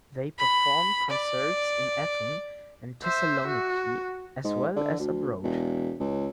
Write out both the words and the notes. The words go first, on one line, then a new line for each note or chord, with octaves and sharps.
They performed concerts in Athens and Thessaloniki as well as abroad.
B5
D5
C5 E5
F#4
G#2
D3
D2
E1
C#2